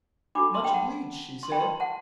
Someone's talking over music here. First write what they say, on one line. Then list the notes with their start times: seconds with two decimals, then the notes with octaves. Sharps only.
"Much obleeged," she said.
0.35 D4 F#4 A4 B5 D6
0.54 A5 C6
0.64 G5 B5
0.74 F#5 A5
1.43 C6
1.51 G5 B5
1.60 A5 C6
1.80 F#5 A5